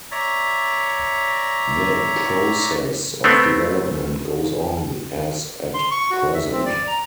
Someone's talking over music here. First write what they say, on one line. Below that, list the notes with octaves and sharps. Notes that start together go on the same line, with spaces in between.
The process of development goes on as at present.
C#5 D5 E5 A#5
A3 B3 C4
C6
C#6
F#4
E5
C4
D5
A#5